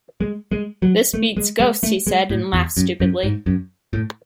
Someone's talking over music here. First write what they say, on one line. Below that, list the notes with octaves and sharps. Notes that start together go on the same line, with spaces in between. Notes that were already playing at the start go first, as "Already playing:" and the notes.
"This beats ghosts," he said, and laughed stupidly.
G#3
G#3
F#3
A3
G#3
G#3
A3
G#3
A2
E2
F#2
F#2
G#2
F#2
A2